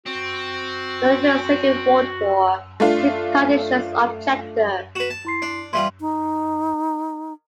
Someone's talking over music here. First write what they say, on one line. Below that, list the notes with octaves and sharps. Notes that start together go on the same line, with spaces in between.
During the Second World War, he was a conscientious objector.
C4 F#4
A3 D4 F4
F#4 B4 E7
A5
E4 C6 C7
D4
E3 G3 F4 E5 C6
D#4